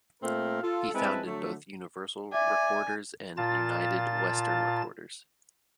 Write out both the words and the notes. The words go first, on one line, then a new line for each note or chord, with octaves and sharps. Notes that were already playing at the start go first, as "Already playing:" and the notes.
He founded both Universal Recorders and United Western Recorders.
A#2 A3 C4 A#4 F5
F4 A4
G#3 C4 E4 B4 A5
D3 F#3 A3
D5 E5 G#5
A#2 F4 A5 A6